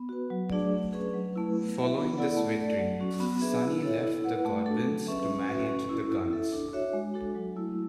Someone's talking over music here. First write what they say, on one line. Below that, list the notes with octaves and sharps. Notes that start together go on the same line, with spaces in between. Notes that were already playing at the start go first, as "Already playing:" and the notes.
Following this victory, Sunny left the Godwinns to manage the Gunns.
Already playing: B3
F#4 B4
F#3
A3 D4 G#4 D5
A3
C#4 G#4 B4
F#3
A3 E4 B4
B3
E4 B4 E5
B3
E4 A4 D5 F#5
A3
D4 A4 D5
F#3
C#4 F#4
B3
D4 G#4 B4 E5
E4
A4 C#5 E5
E4
B4 F#5
A3
D4 F#4 A4
F#3
C#4 G#4 B4 E5
C#4
F#4 B4 E5
C#4
E4 A4
E4
A4 E5
D4
F#4 C#5 E5
G#3
D4 F#4 A4
F#3
A3 E4